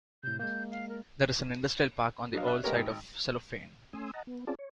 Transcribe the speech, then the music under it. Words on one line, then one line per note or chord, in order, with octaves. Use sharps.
There is an industrial park on the old site of Cellophane.
A2 C3 G6
G#3 A#3 G6
F5
A#4
F#3 D4 D#5 F5
D5 E5 F#6
G#3 A#3 B3 G4 A#4 C#5
G#1
A3 C#4 G#5 C6 D#6 E6
D#5 F#5 A5 A#5
B3
C4 C#4 F4 G#4 D5 A5
C#5